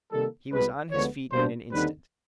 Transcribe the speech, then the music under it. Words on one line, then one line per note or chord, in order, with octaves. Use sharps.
He was on his feet in an instant.
C3 D#3 G3 A#3 A4
C2 B2 G#3 B3 B4
D2 D3 F3 G#3 B3 C#5
B2 G3 A#3 D4 C5
D#2 D3 G3 C4 D#4 B4